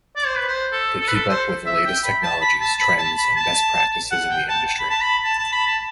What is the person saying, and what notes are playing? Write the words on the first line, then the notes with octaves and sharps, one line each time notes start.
They keep up with the latest technologies, trends, and best practices in the industry.
D5
C5
B4
C5
A4
A4
B4
A4
C5
E5
G5
B5
A5
B5
A5
B5
A5
B5
A5
F#5
G5
A5
B5
A5
B5
A5
A5
B5
A5